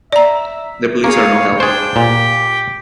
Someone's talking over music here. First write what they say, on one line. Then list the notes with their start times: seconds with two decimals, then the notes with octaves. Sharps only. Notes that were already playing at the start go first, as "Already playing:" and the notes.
The police are no help.
0.12 D5 E5 A#5
1.04 A#3 G#4 C#5 F5
1.60 D4 G#4 C5 G5
1.96 A#2 G4